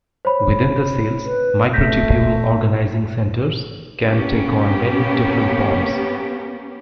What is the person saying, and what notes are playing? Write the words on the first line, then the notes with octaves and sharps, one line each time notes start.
Within the cells, microtubule-organizing centers can take on many different forms.
C5 C#5 B5
B4
A3 G6 A#6 B6
A#3 B3 C#4 G4